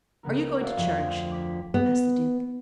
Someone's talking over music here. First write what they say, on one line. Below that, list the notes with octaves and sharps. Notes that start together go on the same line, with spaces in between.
"Are you going to church?" asked the Duke.
C#2 C#3 B3 A#4
F#4 A4 C5 D5 E5 F5
F2
D2
D6 B6
B3